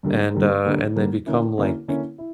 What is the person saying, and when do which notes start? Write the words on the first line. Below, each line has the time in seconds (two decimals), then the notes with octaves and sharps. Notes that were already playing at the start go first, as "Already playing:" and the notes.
and, uh, and they become, like,
0.03 G2 D3 G3 A#3
0.34 G2 D3 G3 A#3
0.65 G2 D3 G3 A#3
0.96 G2 D3 G3 A#3
1.26 D3 A#3 C#4 E4
1.58 D3 A#3 C#4 E4
1.88 D3 A#3 C#4 E4
2.18 E4